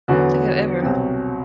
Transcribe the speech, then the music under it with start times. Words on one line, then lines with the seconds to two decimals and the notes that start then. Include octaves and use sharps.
I don't think I've ever
0.08 E2 D3 F#3 B3 F#4
0.83 C2 B2 F#3 C4